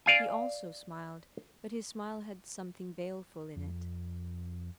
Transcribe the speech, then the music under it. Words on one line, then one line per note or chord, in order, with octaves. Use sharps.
He also smiled, but his smile had something baleful in it.
D5 F5 G#5
F2